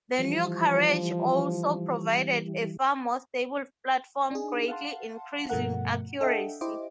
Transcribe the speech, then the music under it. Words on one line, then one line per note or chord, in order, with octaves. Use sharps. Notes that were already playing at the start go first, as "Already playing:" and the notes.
The new carriage also provided a far more stable platform, greatly increasing accuracy.
E3 F3 G3
D4 D#4 G#4
F5 F#5 A5 C6
G2 B2 F3 A3 A#4 F#5
D4 A4 D#5 E5 F#5 G5
E4 G4 C5 D#5 D6